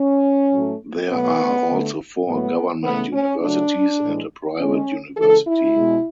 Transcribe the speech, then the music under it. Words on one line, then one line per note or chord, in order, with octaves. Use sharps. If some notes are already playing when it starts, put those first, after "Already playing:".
There are also four government universities and a private university.
Already playing: C#4
A2 F#3 A3
B2 F#3 A3 B3
D3 A3
A2 F#3 A3 B3
C#3 E3 A3 B3
C#4
C#3 F#3 A3 D4
A2 E3 G#3
D3 G#3 C#4
C#3 E3 G#3 A4
E4
B2 G#3